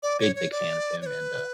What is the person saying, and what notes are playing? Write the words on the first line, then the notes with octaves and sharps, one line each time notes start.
big big fan of him and, uh,
D5
C#5
C#5
D5
C#5
B4